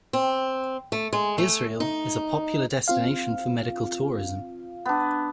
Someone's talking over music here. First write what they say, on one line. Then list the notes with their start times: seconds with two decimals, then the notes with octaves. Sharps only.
Israel is a popular destination for medical tourism.
0.13 C4
0.92 A3
1.13 G#3
1.38 A3
1.80 D#4
2.88 C4 F4 F5
4.86 B3 D4